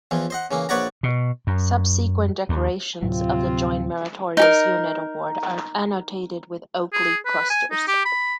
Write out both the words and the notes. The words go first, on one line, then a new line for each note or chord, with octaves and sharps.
Subsequent decorations of the Joint Meritorious Unit Award are annotated with oak leaf clusters.
E2 E3 F3
C5 D#5 F#5
C#3 E3 A#3
A#1 B4 C#5 D5 F#5 A#5
B2
F#2
D#2
D2 A2 C3 F#3 C4 F4
D#4 G4 A#4
G#4
B4
G#5
D#4
G4
B5